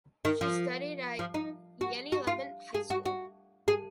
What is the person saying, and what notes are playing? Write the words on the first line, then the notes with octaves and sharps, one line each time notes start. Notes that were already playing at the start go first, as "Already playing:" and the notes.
She studied at Yeni Levent High School.
D#3
F3
F3
D#4
F#4
F#4
F4
G#4
F#4
F#4
G#4